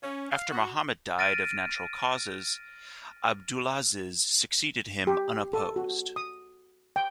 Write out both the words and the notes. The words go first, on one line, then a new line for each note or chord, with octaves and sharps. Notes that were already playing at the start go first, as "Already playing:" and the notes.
After Mohammed died of natural causes, Abdulaziz succeeded him unopposed.
C#4
F5
F#4
F6 A6 A#6 D7 D#7
G4
A4
F#4
D#6
G5